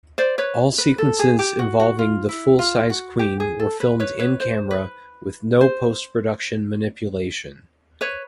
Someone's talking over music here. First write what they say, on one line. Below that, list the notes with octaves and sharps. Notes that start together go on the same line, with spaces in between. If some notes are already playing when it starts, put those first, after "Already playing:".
All sequences involving the full size queen were filmed in-camera with no post-production manipulation.
C5 D5
B4 C#5
B4
A4
G#4
G4
F#4
F#4
F4
E4
F4
F#4
G4
G#4
A4
B4
B4 C#5
B4 C#5
C5
B4
C5
B4 C#5